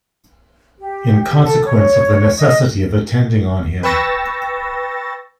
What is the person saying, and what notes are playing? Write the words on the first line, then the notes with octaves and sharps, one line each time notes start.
In consequence of the necessity of attending on him.
G4
A4
C#5
D#5
B4 G5 C#6 E6 A6 A#6